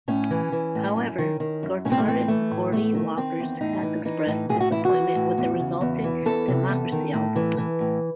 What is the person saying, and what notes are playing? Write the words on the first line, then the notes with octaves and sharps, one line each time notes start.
However, guitarist Geordie Walker has expressed disappointment with the resulting "Democracy" album.
A2 C#4
E3
E3
A2
F#2
D#3
D#3
F#2
A2 C#4
C4
A3
E3 C4
E3 A3
A2
E2 A3
D#3
D#3 C4
E2
A2 D#4
E3
E3 D#4
A2
A2 G#4
F#4
E3 E4
F#4
E3
A2
E2
C#3
E2
E3
E2 A4
C3
E2
D#3
A2
E3
E3
A2